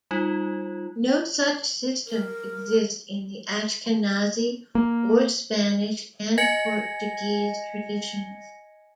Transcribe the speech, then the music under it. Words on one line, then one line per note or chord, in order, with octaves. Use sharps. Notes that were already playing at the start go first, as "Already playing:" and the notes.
No such systems exist in the Ashkenazi or Spanish and Portuguese traditions.
G3 D#4 F4
A#4
A#3
D#5 G#5 G#6 A#6 C#7